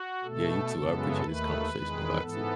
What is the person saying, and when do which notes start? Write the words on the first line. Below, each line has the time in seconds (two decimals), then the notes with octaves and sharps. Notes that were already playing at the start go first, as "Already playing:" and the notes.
Yeah, you too. I appreciate this conversation a lot, too.
Already playing: F#4
0.24 B2 A3 A4
0.73 F#2 C#3 E3 G#3 B3
1.21 D#2 D#3 A3 B4
1.70 E2 D#3 G#3
2.18 G#2 E3 B3 A4